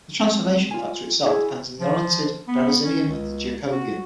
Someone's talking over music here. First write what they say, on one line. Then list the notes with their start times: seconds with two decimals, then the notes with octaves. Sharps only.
The transformation factor itself depends on the oriented Berezinian of the Jacobian.
0.20 G#3 C4
0.71 F4 G#5
1.26 E4 F#4 G#4
1.80 F3
2.48 B3
2.82 C#4
3.08 C#2
3.72 F#4